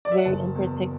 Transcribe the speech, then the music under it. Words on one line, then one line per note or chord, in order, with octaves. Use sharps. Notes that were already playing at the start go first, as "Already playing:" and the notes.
very unpretic
D5
E5
F#5
F#1 A5
E2